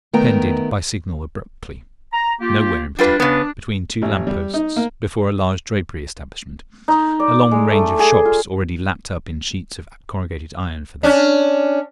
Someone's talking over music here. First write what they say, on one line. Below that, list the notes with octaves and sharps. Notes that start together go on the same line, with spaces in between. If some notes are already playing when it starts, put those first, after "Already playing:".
It ended by signal abruptly, nowhere in particular, between two lamp-posts before a large drapery establishment--a long range of shops already lapped up in sheets of corrugated iron for the night.
D#3 A3 B3 A#4 G5 A#5
A#5
A#3 F4 G4
G3 D4 F4 B4
C#3 B3
A1
G3
D#4
A#3
D#4
D5
G#3
A3
G#4
F4
C#4 D4